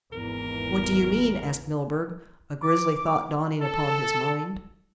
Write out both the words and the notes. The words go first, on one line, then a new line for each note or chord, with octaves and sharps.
"What do you mean?" asked Milburgh, a grisly thought dawning upon his mind.
G#1 E2 E3 A#4
D6
A4